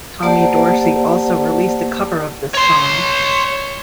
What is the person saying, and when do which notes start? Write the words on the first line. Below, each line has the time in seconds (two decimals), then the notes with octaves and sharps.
Tommy Dorsey also released a cover of this song.
0.23 A#3 G4 C5 D5 F#5 A5
2.54 C#5 C6